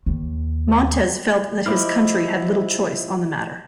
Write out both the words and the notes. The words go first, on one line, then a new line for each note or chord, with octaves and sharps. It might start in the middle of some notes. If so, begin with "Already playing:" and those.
Montes felt that his country had little choice on the matter.
D#2
F3 E4 D#5 D6 F6